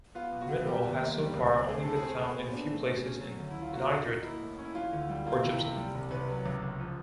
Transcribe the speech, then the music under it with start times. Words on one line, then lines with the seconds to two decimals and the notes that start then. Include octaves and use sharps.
The mineral has so far only been found in a few places in anhydrite or gypsum.
0.15 B3 F4
0.32 B2
0.41 F#4
0.49 B2
0.66 G3 G4
0.84 D#2
1.00 A#3
1.17 G3
1.34 C#2
1.51 C4
1.68 A3 G#4
1.83 A2 A4
1.96 G#4
2.02 C4
2.19 B3
2.37 A#2
2.53 D4
2.71 A3
2.88 C#3
3.05 C#4
3.22 F#3
3.38 D2
3.51 E4
3.56 D2
3.62 F4
3.73 A#3 F#4
3.90 A#2
4.07 D#4
4.24 A#3 E4
4.41 A2
4.58 C#4
4.65 E4
4.75 E3 F4
4.93 D2
5.09 G3
5.26 A#3 F4
5.43 C3 E4
5.61 C3
5.77 G3
5.95 C2
6.11 C2 B4
6.28 F#3
6.46 C#2
6.62 C#2
6.80 F3